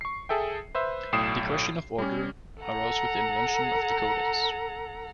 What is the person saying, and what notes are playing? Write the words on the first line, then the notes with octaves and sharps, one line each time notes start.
The question of order arose with the invention of the codex.
C#6 C7
G#4 A4 E5 G5
B4 C5 E5
B1 A2 G5 D#6 C7 E7
G3 C#4
A4 F#5 A#5